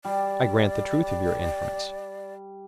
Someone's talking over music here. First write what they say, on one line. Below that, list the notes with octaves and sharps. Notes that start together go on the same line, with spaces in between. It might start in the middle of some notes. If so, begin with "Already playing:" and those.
I grant the truth of your inference.
G3 D5